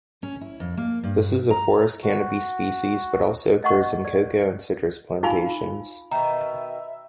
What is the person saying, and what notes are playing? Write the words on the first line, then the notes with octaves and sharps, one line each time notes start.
This is a forest canopy species, but also occurs in cocoa and citrus plantations.
C#4
E4
F2
A#3
G2
A#5
F#4
D#5 F#5 C#6
D5
D#4 F4 F5 G#5 B5
B2 D#3 E5 A#5